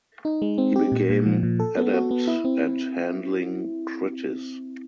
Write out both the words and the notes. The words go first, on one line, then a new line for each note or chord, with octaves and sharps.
He became adept at handling kritis.
D#4
G#3
C4
G4
A#2
A#2
F3
A#2
A4
B3
F#4
B3
E4
C4